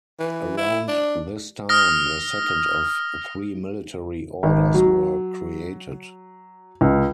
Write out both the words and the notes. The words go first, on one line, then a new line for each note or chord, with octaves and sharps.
Around this time, the second of three military orders were created.
E3
E4
D4
D#6 F6 A#6
G#1
F#3
C#2